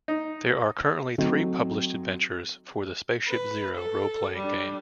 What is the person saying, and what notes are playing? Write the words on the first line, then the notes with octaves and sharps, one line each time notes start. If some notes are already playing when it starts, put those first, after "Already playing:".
There are currently three published adventures for the Spaceship Zero roleplaying game.
D#4
F#3 A3 C4 D#4
B4
A4
G3 D4